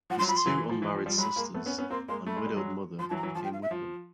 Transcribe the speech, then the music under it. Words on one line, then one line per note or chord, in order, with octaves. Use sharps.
His two unmarried sisters and widowed mother came with them.
F3 F#5
C6
F#3
F3 B5
C6
E3 F#3
E3
F3
E3
F3
F3 G3
F#3 G#3 B5
G#3 A#3
A3 B3
B3 C#4
B3 C#4
A#3 C4 C6
G#3 A#3 C6
A3 B5
G#3
G3
F#3 G#3
F3 C6
E3 F#3 A5
A#5
E3 F#3
F3 A5
G5
F5
E5
F3